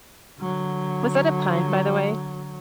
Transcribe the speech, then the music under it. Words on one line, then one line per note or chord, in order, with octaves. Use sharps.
was that a pun, by the way?
D3 F#3